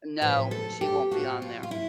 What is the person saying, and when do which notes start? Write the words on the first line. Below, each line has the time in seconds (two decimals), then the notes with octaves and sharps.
No. She won't be on there.
0.21 A2 F3 B4
0.51 A4
0.81 G4
1.11 A2 F3 F#4
1.42 F4
1.63 F4
1.71 E4